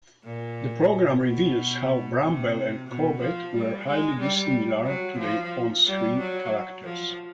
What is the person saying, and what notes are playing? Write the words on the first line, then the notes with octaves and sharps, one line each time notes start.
The programme reveals how Brambell and Corbett were highly dissimilar to their on-screen characters.
A#2
B2
C3
B2
F3
G3
G#3
G3
F#3
F3
G3
F#3
F3